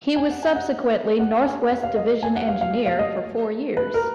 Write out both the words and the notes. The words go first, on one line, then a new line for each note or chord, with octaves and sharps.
He was subsequently Northwest Division Engineer for four years.
G#5
F#5
G#5
F#5
F#5
G#5
F#5
F5
D#5
G#5
F#5
F5
F5
F5
D#5
B4
A#4